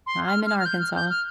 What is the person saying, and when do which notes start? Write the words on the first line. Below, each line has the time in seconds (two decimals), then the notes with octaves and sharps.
I'm in Arkansas.
0.07 C6
0.27 F6
0.46 F6
0.59 F6
0.66 G6
0.80 F6
0.95 G6
1.10 F6